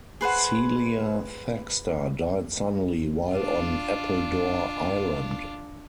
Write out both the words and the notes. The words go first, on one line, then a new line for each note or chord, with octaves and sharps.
Celia Thaxter died suddenly while on Appledore Island.
G#4 B4 C5 F#5
D4 F4